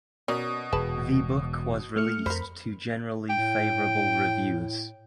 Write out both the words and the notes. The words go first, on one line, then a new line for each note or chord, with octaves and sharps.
The book was released to generally favorable reviews.
B2 C#4 A#4 D5
E1 G#4 B4 A5
A3 F6 C#7
F2 A#4 C5 B5
A2 G5